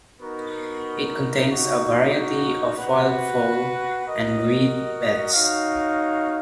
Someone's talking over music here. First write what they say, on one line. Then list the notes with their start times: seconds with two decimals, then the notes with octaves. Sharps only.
It contains a variety of wildfowl and reedbeds.
0.20 B3 D#4 F#4 A#4
1.48 A#3 D#4 F#4
2.76 F#4 B4 F#5
4.04 F#4 A#4 D#5
5.32 D#4 F#4 C#5 F5